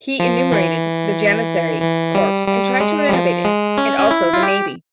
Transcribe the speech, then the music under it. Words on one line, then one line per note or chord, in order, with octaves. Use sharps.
He enumerated the Janissary corps and tried to renovate it, and also the navy.
F3
E3
E3
G3
G3
G#3
G3
F3
G#3
C#4
C#4
E4
F4
G4